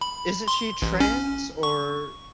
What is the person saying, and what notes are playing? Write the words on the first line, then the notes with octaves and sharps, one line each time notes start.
isn't she trans or
B5
C6
A1
C#4
C#6